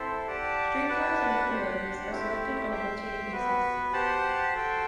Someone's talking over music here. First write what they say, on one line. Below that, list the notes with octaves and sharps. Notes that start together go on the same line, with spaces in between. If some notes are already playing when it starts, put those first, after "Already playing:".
Streetcars and locomotives are selected on a rotating basis.
Already playing: C4 E4 A4 C5
G4 D5 F#5 A5
D4 F#4 B4 F#5 A5
D4 G4 C5 F#5
A3 C4 E4 G4
G4 C5 E5 G5
B3 F#4 B4
G4 C5 F#5 A5
F#4 A4 C5 G5